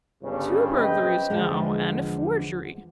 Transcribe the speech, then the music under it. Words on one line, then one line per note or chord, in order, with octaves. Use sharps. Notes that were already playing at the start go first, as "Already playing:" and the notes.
'Two burglaries now, and a forgery!'
G1 G2 C#3
A#1 C#3 C4 B4 D#5 G5
E2 D3 F3 G#3